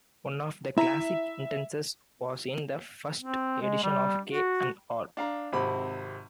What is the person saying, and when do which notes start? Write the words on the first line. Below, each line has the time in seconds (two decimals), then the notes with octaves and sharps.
One of the classic instances was in the First Edition of K and R.
0.78 E4 E5 A#5
3.20 C4
3.61 G#3
3.83 G3
4.27 F#4
5.17 D4 F5 A#5
5.52 G#1 C3 C4 B5